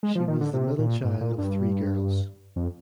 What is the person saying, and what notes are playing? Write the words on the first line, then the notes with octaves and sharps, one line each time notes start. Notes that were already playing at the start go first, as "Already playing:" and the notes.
She was the middle child of three girls.
G#3
F3
D#3
D3
C3
A#2
G#2
A#2
G2
F2